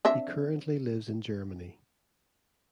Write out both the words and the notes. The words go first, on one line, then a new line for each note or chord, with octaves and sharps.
He currently lives in Germany.
C4 D4 E5